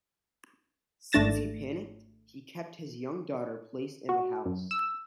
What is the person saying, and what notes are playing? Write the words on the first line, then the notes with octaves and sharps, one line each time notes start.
Since he panicked, he kept his young daughter placed in the house.
G#1 A3 D4 A6 A#6 E7
F#4
F#2
E6